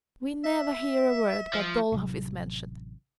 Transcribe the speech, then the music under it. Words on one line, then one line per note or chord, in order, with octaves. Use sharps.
We never hear a word but Dolokhov is mentioned.
E5
F3
A1 C3 F#3